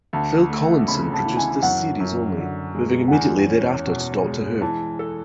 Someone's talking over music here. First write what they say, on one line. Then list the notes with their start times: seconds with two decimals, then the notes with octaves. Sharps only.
Phil Collinson produced this series only, moving immediately thereafter to "Doctor Who".
0.13 D2 A5
0.50 A3
0.88 C#3 B5
1.13 A5
1.25 E3
1.37 G#5
1.62 F#2 F#5
2.00 F#2
2.37 D3
2.75 G#3
3.08 F#5
3.12 E2 G#5
3.49 C#4
3.87 B2
4.24 G#3
4.61 E3 A5
4.99 A4